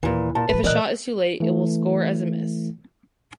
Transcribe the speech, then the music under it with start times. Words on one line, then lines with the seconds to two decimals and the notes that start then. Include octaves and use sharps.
If a shot is too late, it will score as a miss.
0.03 D#2 A#2 E3
0.35 A#2 A5
0.49 A2 F3 B4
0.64 A#2 E3 A#4 D5 D#5 F#6
1.40 E3 A3